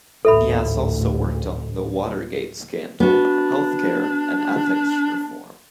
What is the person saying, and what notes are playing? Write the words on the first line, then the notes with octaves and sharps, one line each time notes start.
Neas also worked on the Watergate scandal, health care, and ethics reform.
A1 D2 G#2 A4 E5 B5
B3 D4 F#4